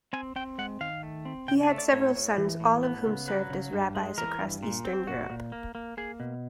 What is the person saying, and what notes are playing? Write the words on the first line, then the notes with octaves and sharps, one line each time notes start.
He had several sons; all of whom served as rabbis across Eastern Europe.
C4 G#5
C4 G5
G#3 F#5
D#3 F5
A3
C4
C#3 G5
G#5
A3
D5
A2 C#5
A2
E3
A2
B3
C#3
F#3 B4
C#3
G2
G#3
E3 A#4
G2
A#2
C4
A#2 F#4
A#2
A#3
A#3
A#3 G#4
B2